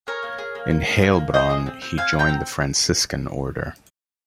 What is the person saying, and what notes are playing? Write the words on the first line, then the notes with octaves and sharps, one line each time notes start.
In Heilbronn he joined the Franciscan Order.
G#4 A#4 C#5
A#3
G#4
A#3
A#3
G#4
A#3
A#3
G#4 C5 D#5
G#4
C4
C4
C4 F5 G#5
F4
G5 A#5
C4